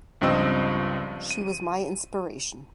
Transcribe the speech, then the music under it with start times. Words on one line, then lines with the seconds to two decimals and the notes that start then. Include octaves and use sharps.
She was my inspiration.
0.21 C#2 G2 F3 C4 D#5 E6
1.31 D#7